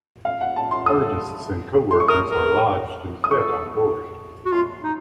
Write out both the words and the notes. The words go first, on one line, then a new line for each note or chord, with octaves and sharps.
Artists and co-workers are lodged and fed on board.
F5
F#5
A5
C6
A4 D#6
C6
C#6
A#4 D#6
A#4
D#6
A4 C#6
F#4
F4 C6
D#4